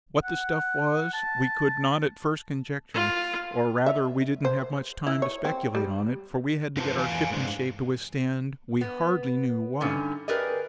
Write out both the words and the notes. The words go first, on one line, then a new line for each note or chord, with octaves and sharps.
What the stuff was we could not at first conjecture, or rather, we didn't have much time to speculate on it, for we had to get our ship in shape to withstand we hardly knew what.
F#5
A5
F4
E5
C5
E4
C#5
C4
G3
G2 F4 B4 C5 A5
E2 F5 G#5
G2 G#3 D4 C5
B3
G2 D3 C#4 D#4
G4 G#4 A#4 B4 D5 D#5